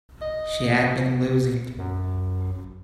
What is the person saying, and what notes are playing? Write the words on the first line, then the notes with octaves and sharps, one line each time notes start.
She had been losing.
D#5
F#2